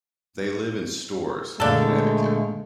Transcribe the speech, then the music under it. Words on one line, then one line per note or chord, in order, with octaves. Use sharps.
They live in Storrs, Connecticut.
A#2 D3 G#3 A3 D4 A4